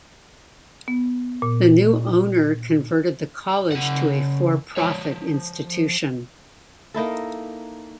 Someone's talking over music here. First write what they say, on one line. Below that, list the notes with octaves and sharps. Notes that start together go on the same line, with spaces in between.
The new owner converted the college to a for-profit institution.
B3
A#2
C#3 F#5
F3 C#5
A#3 D#4 E4 A4